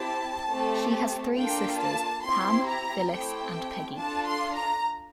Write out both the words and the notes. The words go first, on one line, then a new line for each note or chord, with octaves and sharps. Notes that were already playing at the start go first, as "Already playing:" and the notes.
She has three sisters: Pam, Phyllis, and Peggy.
Already playing: C4 E4 G4 A5
A3 C4 G4
A#3 D4 F4 A4 G5
A5
C4 E4 G4 C6
A#5
A3 C4 E4 G4 G5
D4 F4 A4 A5
C6
A#5